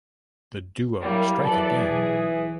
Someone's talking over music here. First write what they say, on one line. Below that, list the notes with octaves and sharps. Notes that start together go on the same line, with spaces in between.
The duo strike again!
F#3 G3 A#3 E4
E3 F#3 A4 D5
B1 G#4